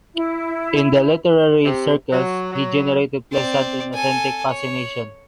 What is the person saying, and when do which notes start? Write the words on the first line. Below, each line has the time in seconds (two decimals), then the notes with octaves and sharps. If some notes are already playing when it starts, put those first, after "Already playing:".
In the literary circles he generated pleasant and authentic fascination.
0.14 E4
1.65 C3
2.12 F#3
2.53 F#3
3.32 C4 D5
3.94 A4 G#5
4.48 C#5